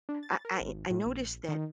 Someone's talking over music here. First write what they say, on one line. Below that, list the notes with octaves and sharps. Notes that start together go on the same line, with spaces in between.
I I I noticed that
D4
A6
A#4
G#1
A2
A#1
D#3